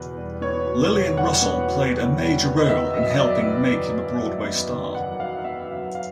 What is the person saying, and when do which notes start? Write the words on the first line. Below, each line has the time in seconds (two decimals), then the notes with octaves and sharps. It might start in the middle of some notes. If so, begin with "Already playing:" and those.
Lillian Russell played a major role in helping make him a Broadway star.
Already playing: E2 B2 B4
0.17 G3
0.41 B3 C#5
0.67 B2
0.92 E2 C#5
1.17 G3 F#5
1.42 B3
1.68 B2
1.93 E2
2.18 G3
2.44 B3
2.57 D#5
2.68 D#3 E5
2.94 F#2 D#5
3.03 E5
3.11 D#5
3.18 F#3 D5
3.44 B3
3.70 D#3
3.94 F#2
4.19 F#3
4.44 B3
4.70 D#3
4.95 F#2 F#5
5.20 F#3 F5
5.45 B3 E5
5.70 F#2 F5
5.95 F5